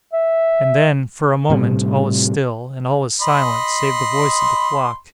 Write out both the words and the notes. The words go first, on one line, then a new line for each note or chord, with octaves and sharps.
And then, for a moment, all is still, and all is silent save the voice of the clock.
E5
A2 C3 G3
D#5 B5 C6